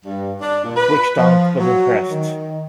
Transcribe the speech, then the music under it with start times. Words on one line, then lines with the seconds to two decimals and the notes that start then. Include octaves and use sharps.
Switch down, button pressed.
0.05 G2
0.41 D4
0.64 A#2
0.77 B4
1.18 F3
1.60 F#3
2.09 D#3